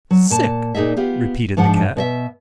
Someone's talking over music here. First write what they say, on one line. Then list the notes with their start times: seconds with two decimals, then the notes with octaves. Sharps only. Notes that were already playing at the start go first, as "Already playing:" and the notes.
"Sick!" repeated the Cat.
0.11 F#3
0.30 A#2 A5
0.75 A#2 D#4 G#4 D#5 E5
0.97 B3 F4 G4
1.57 G#2 F3 D4 F#5
1.97 B2 D#5 E5